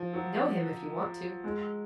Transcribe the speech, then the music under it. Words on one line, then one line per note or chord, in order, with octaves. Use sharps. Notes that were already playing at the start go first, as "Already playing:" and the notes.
"Know him, if you want to."
Already playing: F3
F#3
G#3